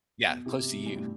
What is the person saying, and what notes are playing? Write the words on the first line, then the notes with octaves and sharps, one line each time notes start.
Yeah, close to you.
B2
C3
B2
G2
A2